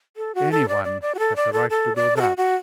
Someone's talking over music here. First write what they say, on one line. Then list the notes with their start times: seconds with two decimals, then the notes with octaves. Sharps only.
Any one has a right to do that.
0.17 A4
0.35 F#4
0.52 A4
0.68 D5
0.84 D5
1.02 D5
1.15 F#4
1.19 A4
1.36 D5
1.53 A4
1.70 A4
1.96 D5
2.16 A4
2.21 F#4
2.37 F#4